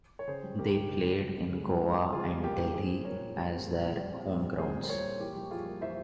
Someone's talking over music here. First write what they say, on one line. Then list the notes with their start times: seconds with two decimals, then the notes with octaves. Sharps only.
They played in Goa and Delhi as their home grounds.
0.19 C#5
0.27 C#3 G#4 C5
0.43 G3
0.59 C#2 G4 A#4
0.75 C#2
0.89 C#3
1.05 G3
1.20 C#2
1.36 C#2
1.51 C#3
1.67 G3
1.82 C#2
1.97 C#2
2.12 C#3 F4 G#4
2.27 G3
2.43 C#2 G4 A#4
2.58 C#2
2.73 G3 G#4 C5
2.90 C4
3.05 A#2 A#4 C#5
3.21 A#2
3.36 G3
3.51 C4
3.67 A#2
3.81 A#2
3.97 G3
4.12 C4
4.28 A#2
4.43 A#2
4.58 G3 G#4 C5
4.74 C4
4.84 C5
4.89 A#2 A#4 C#5
5.05 A#2
5.20 E3 G4 A#4
5.36 G3
5.51 F2 F4 G#4
5.66 A#3
5.81 E3 C5 E5